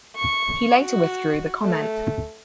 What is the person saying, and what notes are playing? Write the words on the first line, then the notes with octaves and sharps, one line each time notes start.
He later withdrew the comment.
C#6
F#4
A3